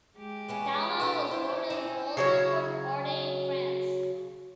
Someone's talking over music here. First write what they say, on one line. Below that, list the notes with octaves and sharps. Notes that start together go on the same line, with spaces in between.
Daumal was born in Boulzicourt, Ardennes, France.
G#3 G4
E3 B3 C#4
D4 A4 B4 E5
E4 C5
C4 C#4 D#4
C#3 F#3 C#5